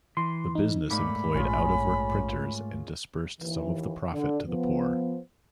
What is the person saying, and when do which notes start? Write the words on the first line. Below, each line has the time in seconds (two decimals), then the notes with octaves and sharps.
The business employed out-of-work printers and disbursed some of the profit to the poor.
0.17 E3 C6
0.55 D#4
0.90 G#2 A3 A#3 D5 B5
1.35 A#1 C#4 F4 G#4
3.41 D#2 E3
4.14 D3
4.48 F3 B3